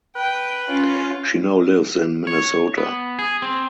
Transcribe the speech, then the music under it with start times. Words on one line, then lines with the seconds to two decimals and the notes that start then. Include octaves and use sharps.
She now lives in Minnesota.
0.16 B4 G5
0.68 C#4 F4
2.27 C#5
2.77 B3
3.19 G#4
3.42 C4